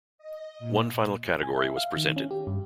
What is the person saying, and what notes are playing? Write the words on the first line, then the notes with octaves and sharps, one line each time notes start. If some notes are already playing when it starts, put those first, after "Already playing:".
One final category was presented.
D#5
A#2
G#5
E5
F5
D#3
C#4
G4
G2